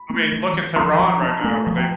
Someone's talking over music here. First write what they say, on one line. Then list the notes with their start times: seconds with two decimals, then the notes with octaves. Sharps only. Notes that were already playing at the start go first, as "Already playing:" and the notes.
I mean, look at Tehran right now when they
Already playing: B5
0.09 A3
0.32 E3
0.54 E3
0.76 F3 C6
0.99 F3 A#5
1.22 D4 A5
1.44 A3 G#5
1.67 F3
1.78 G5